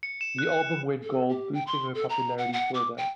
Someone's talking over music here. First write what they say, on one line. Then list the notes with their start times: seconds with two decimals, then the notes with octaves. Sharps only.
The album went gold, boosting her popularity further.
0.03 C#7
0.21 E7
0.39 F#6
1.03 A4
1.29 G4
1.54 G5
1.67 C6
1.95 A4
2.09 A#5
2.38 F#5
2.53 F#5
2.74 D6
2.98 G5